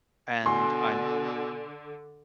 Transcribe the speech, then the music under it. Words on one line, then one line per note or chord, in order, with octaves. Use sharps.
and I'm
B2 D3 G#5 C6